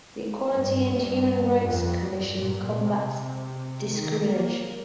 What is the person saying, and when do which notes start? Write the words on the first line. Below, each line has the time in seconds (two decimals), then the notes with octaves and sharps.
The Equality and Human Rights Commission combats discrimination.
0.51 G2
0.89 G2
1.64 F2
2.01 G2
2.38 A#2
2.76 C3
3.88 D#3
4.25 A#3